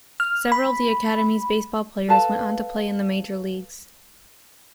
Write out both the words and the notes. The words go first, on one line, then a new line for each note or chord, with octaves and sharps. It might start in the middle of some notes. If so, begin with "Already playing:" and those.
Several of the academy's baseball players went on to play in the major leagues.
F6
B5
A4 B4 F5 A5